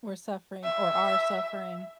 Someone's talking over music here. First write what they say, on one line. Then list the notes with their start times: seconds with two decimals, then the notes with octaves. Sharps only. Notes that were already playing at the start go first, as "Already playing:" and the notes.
we're suffering or are suffering
0.64 E5